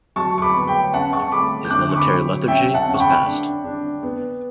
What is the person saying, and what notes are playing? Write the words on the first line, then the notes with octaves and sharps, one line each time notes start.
His momentary lethargy was past.
F#3 A5 C#6
C#6
B5 D6
B3
G5 B5
C#4 F#5 A5
A5 C#6
A3 B5 D6
G6
D3 D6 F#6
C#6
B5 D6
F#3
C#4 E5 G5
F#5 A5
C#4
C#6
G5 B5
D4
D4
B3